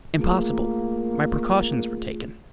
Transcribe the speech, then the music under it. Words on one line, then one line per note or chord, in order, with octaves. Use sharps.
"Impossible; my precautions were taken."
A3 A#3 F4 G#4